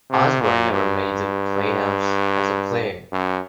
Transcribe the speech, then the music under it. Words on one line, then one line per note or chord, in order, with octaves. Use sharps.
Osborne never made the playoffs as a player.
C3
A#2
G2
F#2